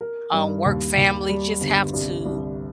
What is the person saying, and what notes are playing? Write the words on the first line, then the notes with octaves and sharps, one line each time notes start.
a work family, just have to
A#4
G2
D#2
D#2
G3
G1
C2
C2